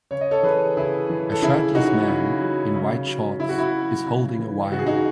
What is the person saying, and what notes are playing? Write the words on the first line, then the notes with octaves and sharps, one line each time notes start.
A shirtless man in white shorts is holding a wire.
C#3 C#5
D#5
A4 C#5
E3 G#4 B4
C#3 E4 G#4
E3
A4
C#3 E4 G#4
F#3 D#4 F#4
C#3
F#3
C#3
F#3
C#3 E4
F#4
E4
F#3
C#3
E3
C#3 F#4
G#4
D#4 F#4